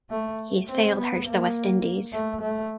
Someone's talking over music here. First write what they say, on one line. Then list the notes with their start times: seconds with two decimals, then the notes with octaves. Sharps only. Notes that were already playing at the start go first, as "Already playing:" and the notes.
He sailed her to the West Indies.
0.11 A3
0.68 C4
0.97 B3
1.26 A#3
2.13 A3
2.41 A3